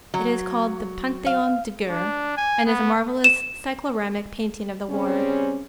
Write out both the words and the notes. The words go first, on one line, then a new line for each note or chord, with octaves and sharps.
It is called the "Pantheon de Guerre" and is a marvelous cycloramic painting of the war.
F#3
F5
D4
G#5
B3
E7
C#3 G3 C4 C#4